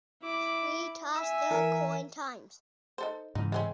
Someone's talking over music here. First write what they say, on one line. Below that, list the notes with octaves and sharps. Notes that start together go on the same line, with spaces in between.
We toss the coin times.
E4 D6
E5 G#5 E6
E3 A#4
D#4 A4 C5
G#2 C#3 E3 D#4
G#3 C4 C#4